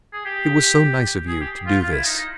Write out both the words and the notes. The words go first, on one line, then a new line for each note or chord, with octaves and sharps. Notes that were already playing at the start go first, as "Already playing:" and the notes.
It was so nice of you to do this.
G#4
G4
G#4
G4
F4
F4
E4
D#4
D#4